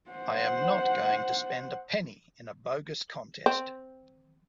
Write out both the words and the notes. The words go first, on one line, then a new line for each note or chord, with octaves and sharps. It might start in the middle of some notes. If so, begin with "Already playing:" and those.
I am not going to spend a penny in a bogus contest.
C5 F#5
C4